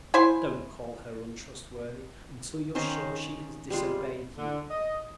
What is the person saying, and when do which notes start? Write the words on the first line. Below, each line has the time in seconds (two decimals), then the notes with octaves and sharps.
Don't call her untrustworthy until you're sure she has disobeyed you.
0.14 E4 C5 G#5
2.75 D#3 C#4 C5 D#5
3.70 G3 G#3 F4
4.37 D3
4.70 D#5